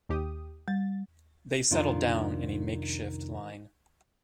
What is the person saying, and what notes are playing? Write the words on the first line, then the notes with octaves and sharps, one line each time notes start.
They settle down in a makeshift line.
D#2 G4 D#6
G3 A6
C2 F2 D#3 D4 F4